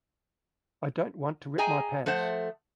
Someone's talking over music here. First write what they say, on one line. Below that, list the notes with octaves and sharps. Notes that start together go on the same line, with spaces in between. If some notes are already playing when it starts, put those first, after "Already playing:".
I don't want to rip my pants.
G#4 D#5 G5 G#5 A#5
F3 A3 C5 F#5